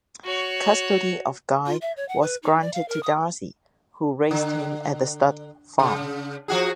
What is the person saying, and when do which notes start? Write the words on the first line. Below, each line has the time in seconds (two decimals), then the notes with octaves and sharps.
Custody of Guy was granted to Darcy who raised him at the stud farm.
0.25 F#4 C#5
1.66 F4
1.81 E5
1.97 C#5
2.08 F#5
2.22 B4
2.43 D#4
2.61 D5
2.73 F5
2.88 A#4
3.03 D#6
4.31 D3
5.79 C#3
6.48 F3 F#4 G#4